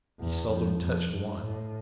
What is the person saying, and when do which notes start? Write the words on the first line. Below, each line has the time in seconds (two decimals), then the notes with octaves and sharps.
He seldom touched wine.
0.20 E2
0.49 F2
0.81 F2
1.12 G2
1.43 A2